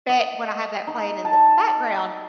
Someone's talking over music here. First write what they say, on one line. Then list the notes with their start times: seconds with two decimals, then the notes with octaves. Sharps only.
but when I have that playing in the background,
0.09 D#5
0.87 D#4
1.25 A5